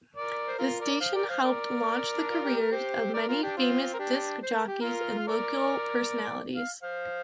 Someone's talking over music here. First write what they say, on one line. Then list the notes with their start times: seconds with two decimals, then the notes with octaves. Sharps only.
The station helped launch the careers of many famous disc jockeys and local personalities.
0.16 A#4 D5
0.47 C5
0.58 F4 A#4
0.80 A#4 D5
1.01 C5 F5
1.15 A#4 D5
1.29 C5 F5
1.43 A#4 D5
2.16 D4
2.30 F4
2.44 G4
2.58 A#4
2.71 G4 C5
3.14 A#4 D5
3.28 F4 A#4
3.42 D4 G4
3.57 C4 F4
3.94 A#4
3.99 D4 G4
4.43 C5
4.54 A#4
4.67 G4
4.80 F4 A#4
5.18 F5
5.27 A#4 D5
6.56 F5
6.83 C5 F5